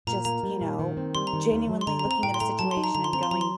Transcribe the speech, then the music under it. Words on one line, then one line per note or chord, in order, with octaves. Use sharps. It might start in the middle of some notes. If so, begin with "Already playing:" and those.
just, you know, genuinely looking at a situation and going,
A#2 A#5
A#3 A#5
G3
A#2
D#3
C4
G3 C6
A#5
D#3
D#2
F#3
C6
D3 A#5
A#5
C4
A#5
A2 G5
C6
A3 A#5
F#3 A5
C6
D#4
A#5
D3 A#5
C6
C4 A#5
C6
F#3 A#5
C6